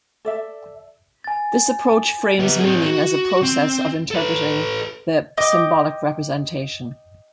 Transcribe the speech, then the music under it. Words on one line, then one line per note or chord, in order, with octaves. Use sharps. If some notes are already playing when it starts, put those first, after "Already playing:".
This approach frames 'meaning' as a process of interpreting the symbolic representation.
A4 D5 E5
G#5 A6
B3 G4
C4 G#4
F#4
C4
A4 B4
D#5 G5 D6